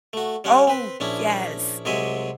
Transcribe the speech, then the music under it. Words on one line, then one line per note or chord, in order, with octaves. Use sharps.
Oh, yes.
A3 F#4
G3 C#4 F#5
C4 B4
A#1 C#4 D4 E4
C2 C3 F#3 G#3 E5 G#5